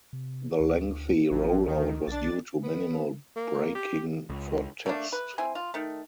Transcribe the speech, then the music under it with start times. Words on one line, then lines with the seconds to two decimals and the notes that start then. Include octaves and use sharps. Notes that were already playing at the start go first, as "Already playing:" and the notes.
The lengthy rollout was due to minimal braking for test.
0.13 C3
0.60 D2
1.31 A1 F2
1.67 D2 D#3
2.07 B1 D4 A6
2.63 B3
3.36 A#3
3.75 G4
4.30 C#2
4.86 A3 A#3 D4
5.12 B4
5.38 C4 E4 G#5
5.55 F4
5.74 D#3 A3